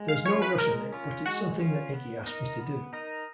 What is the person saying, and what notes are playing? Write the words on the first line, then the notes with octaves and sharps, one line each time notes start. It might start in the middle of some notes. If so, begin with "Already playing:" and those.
There's no rush on it, but it's something that Iggy asked me to do.
Already playing: G#3
F5
C#4 F4 C#5
B4
G#3 A#4
C#4 F4
G#3 F#4
C#4 F4
B3
D#4 A#4 D#5
B3
D#4 A#4 D#5